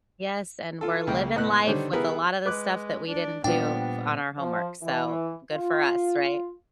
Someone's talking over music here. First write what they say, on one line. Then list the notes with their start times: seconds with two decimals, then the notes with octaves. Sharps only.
yes, and we're living life with a lotta the stuff that we didn't do fo on our homework, so good for us, right?
0.81 F4 A4
1.07 C#2 G#3 A#3 G5
1.36 A2 B3 D#5 B5 F#6
1.65 D3 D#3 G3 C5 C#5
1.93 B3 E4 G4 G#4 A#4 B4
2.46 G#3 B4 D6 F#6
3.07 D4
3.44 A#2 F3 G3 B3 D4 G5
4.38 F3
4.83 E3
5.52 F4